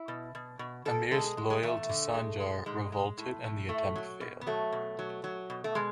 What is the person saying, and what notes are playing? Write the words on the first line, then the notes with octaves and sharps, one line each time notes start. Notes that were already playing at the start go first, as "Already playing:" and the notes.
Amirs loyal to Sanjar revolted and the attempt failed.
Already playing: E4
B2
B2
B2
B2 A4
G#3 A4
G#4
G#3
G#3
E2 A3
D3
G#3
G#3
G#2 G#3
G#3
A2
A2
A2 A3
F#3
B2
B3
F#3 A3
B2
F#3
F#3
B2
A3
B2 G#3